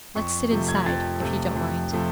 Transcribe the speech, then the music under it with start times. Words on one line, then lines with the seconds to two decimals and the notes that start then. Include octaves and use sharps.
Let's sit inside, if you don't mind.'
0.15 F2 C#6
0.51 C3 F3 A3
0.69 G#6
0.86 F2 A6
1.21 C3 F3 A3
1.56 F2
1.91 C3 F3 A3